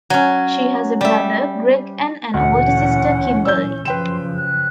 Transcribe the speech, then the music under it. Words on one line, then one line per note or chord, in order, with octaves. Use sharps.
She has a brother, Gregg, and an older sister, Kimberlee.
F#3 C#4
G3 E5
D2 A#2 E3 C#4 F#5
E6 G6
F#2 C#3 F3 B4 G5 C6 E7
F#6